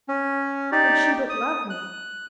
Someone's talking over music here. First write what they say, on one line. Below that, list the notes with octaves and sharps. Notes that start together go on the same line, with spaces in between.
Would she but love me!
C#4
D#4 G4 D5
D#6
F#6